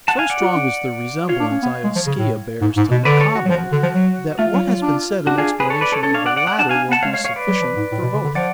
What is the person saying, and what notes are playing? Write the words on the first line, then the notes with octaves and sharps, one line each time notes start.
So strong is the resemblance Ioskeha bears to Michabo, that what has been said in explanation of the latter will be sufficient for both.
F#5 A5
F5 G#5
D5 F#5
F4
C#4
F4 C#5 F5
D4
C#4
B3
G#3
F3
C#3
A2
G#2
G#2
B2
D3 B4 D5
A4 C#5
F#4
F#3
F3 F#4
D3
F3
F#3
A3 F4
F#3
F#3
D4
D4 F#4
F4 G#4
G#4 B4
A4 C#5
B4 D5
A4 C#5
C#4 A4 C#5
D4 C#5 F5
D5 F#5
D5 F#5
D5 F#5
D4 F#5 A5
D4 F5 G#5
B3
F#5 A5
G#3 C#5 F5
C#5 F5
C#5 F5
B4 D5
F#3
F3
G#2
A2
B2
C#3
D3
F3 D5 F#5